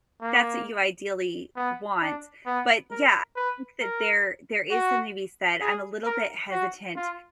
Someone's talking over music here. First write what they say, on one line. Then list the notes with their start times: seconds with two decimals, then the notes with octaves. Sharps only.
that's what you ideally want, but yeah, think that there there is something to be said I'm a little bit hesitant
0.22 A#3
1.56 B3
2.02 D4
2.46 B3
2.91 A#4
3.36 B4
3.82 A#4
4.71 F#4
5.61 G#4
6.06 A#4
6.51 F#4
6.96 F4